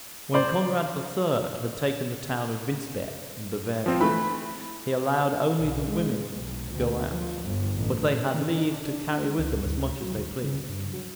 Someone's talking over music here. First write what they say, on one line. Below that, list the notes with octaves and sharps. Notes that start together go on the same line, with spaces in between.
When Conrad III. had taken the town of Winsberg in Bavaria, he allowed only the women to go out; but they had leave to carry with them as much as they pleased.
C5 D5
F3 C4
E3 A3 B5
B1
G#3
B1
D2
F3
G1
A1
D#3
D#4
D4
G#3
C#2
D2
F#3
D2
C#3
G2
F#3